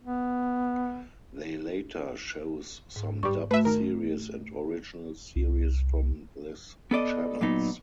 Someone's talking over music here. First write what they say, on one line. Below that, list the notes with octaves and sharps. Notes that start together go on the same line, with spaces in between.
They later shows some dubbed series and original series from this channels.
B3
G#2
G2 G3 C#6
A3 F#4 B4 E5
D#3 A#4
C2
B3 A4 D5 D#5
A#2 F#3 B3 D#4